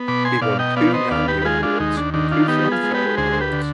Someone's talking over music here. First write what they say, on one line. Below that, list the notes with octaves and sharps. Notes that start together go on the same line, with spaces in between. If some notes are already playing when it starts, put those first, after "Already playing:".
He won two Nandi Awards and two Filmfare Awards.
Already playing: B3
B2 B5 D6
G#5 C6
B2 D5 F5
D#5 G5
B3 D5 F5
C5 D#5
D#2 D5 F5
G4 B4
B4
G#3 F4 G#4
D4 F4
D#2 D#4
D4
D#3 D4
D4 F4
B3 D#4 G4
F4 G#4
G#3
G4 B4
D2 G#4 C5
C5
G4 B4
D3